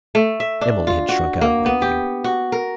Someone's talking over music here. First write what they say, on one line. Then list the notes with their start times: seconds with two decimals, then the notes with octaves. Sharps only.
Emily had shrunk out of my view.
0.15 A3
0.40 E5
0.61 D4
0.87 F4
1.09 F#4
1.41 A#3
1.66 B3
1.82 G4
2.24 F#4
2.52 A#4